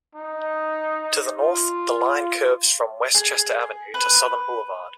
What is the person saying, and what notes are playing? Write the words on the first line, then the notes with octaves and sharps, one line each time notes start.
To the north, the line curves from Westchester Avenue to Southern Boulevard.
D#4
F4
G#4
B4